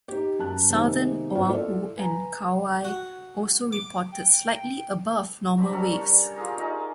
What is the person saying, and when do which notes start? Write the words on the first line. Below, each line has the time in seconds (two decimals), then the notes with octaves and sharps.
Southern Oahu and Kauai also reported slightly above normal waves.
0.08 D#4 G4
0.39 F#2 A5 F#6
0.70 C3 D#3 G#3 A#3 B3 D#4
1.35 G#2 B3 C#4 F4 F#4
1.48 E4 F4 A4 D5
1.97 B4 G#5 A#5
2.85 F#4
3.73 D6
4.13 G5
5.57 F#3 C4 D4 B5
5.72 G3 C#4 A4 A#4
5.94 C#5 G5
6.36 F4 G4 G#4 A#4
6.58 D#4 G#4 D5 F#5